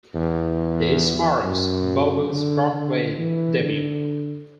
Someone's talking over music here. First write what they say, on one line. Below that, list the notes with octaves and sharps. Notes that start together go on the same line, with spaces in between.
This marks Vogel's Broadway debut.
E2
F#2
D3
D3
E3
D3